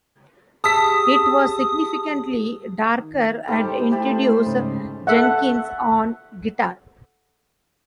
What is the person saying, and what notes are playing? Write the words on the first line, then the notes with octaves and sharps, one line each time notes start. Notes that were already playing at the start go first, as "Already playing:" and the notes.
It was significantly darker and introduced Jenkins on guitar.
G4 G#4 A5 D#6 E6 B6
D#3
G#2 G3 D#4 G4 A4 C5
A3 E4 G4 C5 A5 B5
G#2 C#3 G3
A4 E5 F#5